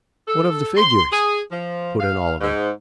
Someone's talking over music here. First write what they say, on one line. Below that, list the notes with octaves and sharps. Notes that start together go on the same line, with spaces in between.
"What of the figures?" put in Oliver.
A4
C6
G#4
F3
F5
G#2